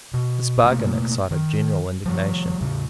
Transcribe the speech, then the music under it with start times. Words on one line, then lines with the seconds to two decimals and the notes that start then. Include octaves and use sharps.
This bargain excited general indignation.
0.14 B2
0.64 B2 A3 A#3
1.31 D#3
2.05 F3 G3
2.61 A2 C#3